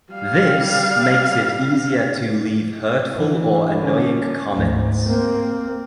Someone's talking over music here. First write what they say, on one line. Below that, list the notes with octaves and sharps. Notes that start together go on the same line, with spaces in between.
This makes it easier to leave hurtful or annoying comments.
G3 F5
E3
D3 C#4
D2 G#2
A#3 C4